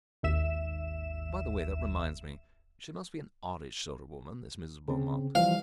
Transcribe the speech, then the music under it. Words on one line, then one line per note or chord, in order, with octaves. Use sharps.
By the way, that reminds me, she must be an oddish sort of woman, this Mrs. Beaumont.
G#1 D#2 E5 E7
C#3 C4
E3 F3 G3 F5